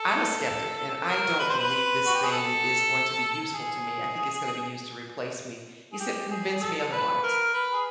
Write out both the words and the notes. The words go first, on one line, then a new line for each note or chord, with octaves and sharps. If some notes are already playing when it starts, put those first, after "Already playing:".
"I'm a skeptic, and I don't believe this thing is going to be useful to me, I think it's gonna be used to replace me." He said, "Convince me otherwise,"
Already playing: A4
A4
A#4
B4
C5
B4
F#4
G4
G#4
A4
G#4
G#4
G4
G#4
A4
B4
A#4
B4
G#4